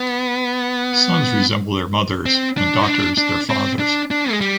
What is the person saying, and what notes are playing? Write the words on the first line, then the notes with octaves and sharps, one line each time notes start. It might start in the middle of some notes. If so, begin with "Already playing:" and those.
Sons resemble their mothers, and daughters their fathers.
Already playing: B3
C4
D4
D#4
D4
D4
C4
D4
D4
G#3
G3